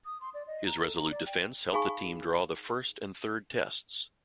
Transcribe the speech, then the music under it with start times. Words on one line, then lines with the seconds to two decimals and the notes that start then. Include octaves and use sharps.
His resolute defence helped the team draw the First and Third Tests.
0.05 D#6
0.21 C6
0.34 D5
0.47 D#5
0.66 A#5
0.80 A4
0.96 A#5
1.11 D5
1.26 G5
1.73 D#4 G#4 F5 G#5 B5 C#6